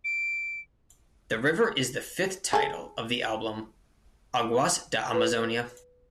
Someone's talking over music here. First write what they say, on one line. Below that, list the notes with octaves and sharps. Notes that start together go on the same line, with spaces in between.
The river is the fifth title of the album Aguas da Amazonia.
D7
G#4 A4
B4